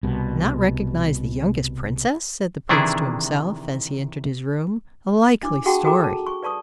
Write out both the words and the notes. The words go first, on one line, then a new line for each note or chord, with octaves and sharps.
Not recognise the youngest princess!' said the Prince to himself, as he entered his room, 'a likely story!'
C2 B2
C3 D#3 E3 D4 E4 G#4
D4 E4 D6
F#4 G#4 F#5 G5 A5 C#6
F#4 G#4 A4 G5 A#5 D6
A5
C#6
B4 D5 A5 C#6 D#6